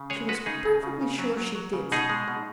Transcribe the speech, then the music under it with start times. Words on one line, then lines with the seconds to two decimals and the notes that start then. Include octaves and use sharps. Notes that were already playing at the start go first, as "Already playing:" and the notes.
She was perfectly sure she did.
Already playing: C#3
0.10 G#3 G#4 C#5
0.28 G#3 F#4 B4
0.46 C#3 D#4 G#4
0.65 C#3
0.83 C#3
1.01 C#3
1.19 F#3
1.37 F#3
1.55 F#3
1.73 C#3
1.92 B2 D#4 G#4
2.10 G#3
2.28 B2